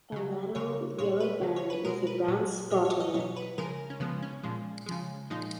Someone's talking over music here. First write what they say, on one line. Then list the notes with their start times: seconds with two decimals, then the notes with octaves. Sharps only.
A lateral yellow band with a brown spot on it.
0.12 C#3 F#3
0.55 C#3 G#3 C#5
0.98 A#2 G#3 C#5
1.20 B4
1.41 C#3 F#3
1.56 C#5
1.70 B4
1.85 B2 G#3 A#4
2.07 B4
2.28 A#2 F#3
2.71 A#2 F#3 C#5
2.85 C#5
3.00 D#5
3.14 B2 F#3 C#5
3.36 B4
3.58 C#3 F3 G#3 A#4
3.90 C#4
4.00 C#3 F3 G#3 B3
4.22 C#4
4.43 A#2 F3 G#3
4.86 C#3 F3 G#3
5.30 A#2 F3 G#3 D#4